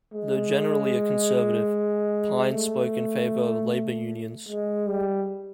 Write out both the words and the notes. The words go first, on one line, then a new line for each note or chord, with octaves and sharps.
Though generally a conservative, Pyne spoke in favor of labor unions.
G#3
A3
G#3
G3